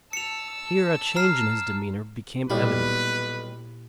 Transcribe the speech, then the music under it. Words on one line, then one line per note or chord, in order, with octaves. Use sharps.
Here a change in his demeanor became evident.
A5 E6 C#7 F7
A#5 F6 C7
B1 A#2 G3 E4 G4 B4 B5